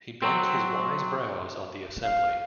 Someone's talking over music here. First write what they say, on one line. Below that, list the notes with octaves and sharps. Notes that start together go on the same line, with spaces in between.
He bent his wise brows on the assembly.
F#3 C4
F5